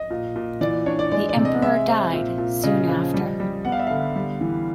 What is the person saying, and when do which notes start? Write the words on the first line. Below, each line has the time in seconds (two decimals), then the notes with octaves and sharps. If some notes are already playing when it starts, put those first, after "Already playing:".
The emperor died soon after.
Already playing: D#5
0.10 A#2
0.36 A#2
0.61 E3 D5
0.86 D4 C#5
0.99 D5
1.11 G#3 D5
1.29 D5
1.36 C3
1.45 D#5
1.62 G#3 E5
1.88 C4
2.13 A#2
2.38 A#2
2.63 C#3 D#5
2.89 F3
3.14 G3
3.40 G3
3.65 B3 F#5
3.72 F5
3.79 E5
3.87 D3 F5
4.16 G3
4.41 E3